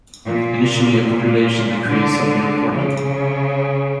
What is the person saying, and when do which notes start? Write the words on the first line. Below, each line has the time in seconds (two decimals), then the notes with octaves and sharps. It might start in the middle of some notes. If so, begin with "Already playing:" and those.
Initially a population decrease had been reported.
0.24 A#2
1.05 A#2
1.88 D3
2.70 C#3